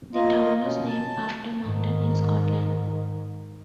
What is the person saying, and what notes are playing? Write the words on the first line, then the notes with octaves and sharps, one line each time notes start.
The town was named after a mountain in Scotland.
A#3 F4 D#5
B2 C#4
A5
G#2 D#3